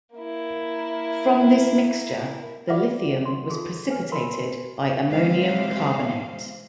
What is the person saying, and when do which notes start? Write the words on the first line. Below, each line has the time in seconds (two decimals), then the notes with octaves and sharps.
From this mixture, the lithium was precipitated by ammonium carbonate.
0.15 A#3 E4
2.68 F4 B4 D5 E5 F#5 D6
3.25 C6
3.49 D#4 F4 F#4 G#4 A4
3.90 B4 G#5
4.12 A#4 B5 C6
5.06 C3 E3 G#3 C5 F5